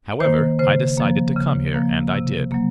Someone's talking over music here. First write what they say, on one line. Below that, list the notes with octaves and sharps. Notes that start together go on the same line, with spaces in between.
However, I decided to come here, and I did.
D#3 A#3 C5
C#3 C5
F3 A#3
C#3
F3 A#3
C3
F#3 A#3